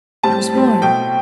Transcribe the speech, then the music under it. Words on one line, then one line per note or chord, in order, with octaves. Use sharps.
It was warm.
A2 G3 C4 A5
A2 G3 C4
B2 A3 C4 G5